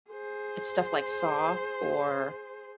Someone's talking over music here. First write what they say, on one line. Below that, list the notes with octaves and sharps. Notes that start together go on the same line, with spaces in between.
it's stuff like Saw or
G#4 C5